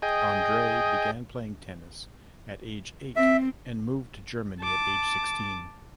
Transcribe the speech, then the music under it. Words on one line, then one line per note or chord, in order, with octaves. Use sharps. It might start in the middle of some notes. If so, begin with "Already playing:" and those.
Andrei began playing tennis at age eight, and moved to Germany at age sixteen.
G#4 D#5 G5
C4 E5
A5 D6